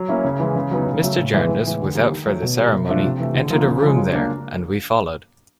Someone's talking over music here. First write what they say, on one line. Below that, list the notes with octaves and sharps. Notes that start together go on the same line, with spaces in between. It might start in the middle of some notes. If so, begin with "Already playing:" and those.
Mr. Jarndyce without further ceremony entered a room there, and we followed.
Already playing: F#3
A#3 C#4 E4
C#3
E3 G#3
C#3
F#3 B3 D#4
C#3
F#3 A3
A2
E3 G#3 B3 E4
A2
E3 G#3
D3
G3 A#3
D#3
F#3 A3
B2
G3 A#3
C3
F3 A3 D4
C3
E3 A3
D3
F3 A#3 D#4
C#3
F3 G#3
F#3
A#3 D4